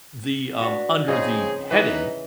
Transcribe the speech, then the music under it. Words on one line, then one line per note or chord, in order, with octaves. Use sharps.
the um, under the heading
D4 F#4 B4
C#3 F3 C4 C#4 D#4 G#4
E3 D#4 B4